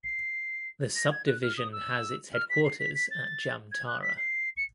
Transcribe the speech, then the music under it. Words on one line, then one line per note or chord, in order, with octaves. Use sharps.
The subdivision has its headquarters at Jamtara.
C7
A#6
G#6
F#6
F6
D#6
E6
F6
B6
C7
B6
B6
A6
G#6
F#6
B6
C7
C#7